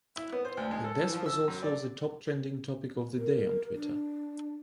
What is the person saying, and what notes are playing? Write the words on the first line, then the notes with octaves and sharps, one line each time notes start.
The death was also the top trending topic of the day on Twitter.
E4
B3
C5
D2
G#3
A4
E3
F3
E6
F#2
D5
A#4
D4